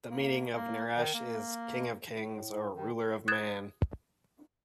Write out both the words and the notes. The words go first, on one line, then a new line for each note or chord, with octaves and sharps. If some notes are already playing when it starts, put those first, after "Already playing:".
The meaning of Naresh is "King of Kings" or "Ruler of Man".
A#3
A#3
D#3
A#3
A2
D#3
D#6 F#6 G#6 A6 E7